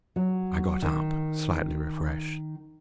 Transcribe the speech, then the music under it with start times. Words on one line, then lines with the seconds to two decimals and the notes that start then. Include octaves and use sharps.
I got up, slightly refreshed.
0.16 F#3
0.82 D#3